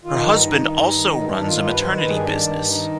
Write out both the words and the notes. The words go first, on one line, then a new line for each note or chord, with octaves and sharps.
Her husband also runs a maternity business.
D#3 F4
G2 D#4
D#3
G2
D#3
G2
D#3 D4
F4
G2 F4
B4
D#3 C5
B4
G2
G#4
D#3 D4
G2
D#3 D#4